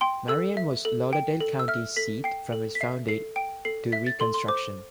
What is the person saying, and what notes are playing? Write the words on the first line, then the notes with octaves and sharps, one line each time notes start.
Marion was Lauderdale County's seat from its founding to Reconstruction.
G5 C6
A4 E6
E5
A4
G5
A4
E6
E5 F6
A4 B6
G5 C7
A4
B6
E5 C7
A4 C7
G5 D7
A4 C7
E5 B6
A6
A4 C6
C6
C5 D6